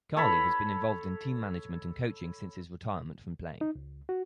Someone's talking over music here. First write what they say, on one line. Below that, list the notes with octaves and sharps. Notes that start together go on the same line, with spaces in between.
Carley has been involved in team management and coaching since his retirement from playing.
A4 C#5 B5
D#4
C#2
F#4